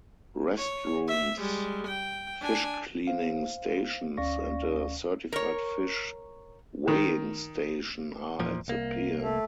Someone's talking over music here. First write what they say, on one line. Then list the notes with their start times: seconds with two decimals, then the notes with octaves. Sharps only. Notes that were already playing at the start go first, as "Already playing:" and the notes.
Restrooms, fish-cleaning stations, and a certified fish weighing station are at the pier.
0.58 C#5
1.07 E5
1.39 G3 G#3
1.87 G5
2.42 D4 G#5
3.07 C5 F5
4.17 D2 C#4 D5 F5 C#6 A#6
5.33 A#4 C#5
6.88 D#3
8.40 E2 A#2 F3
8.68 C2 A#3
9.22 A3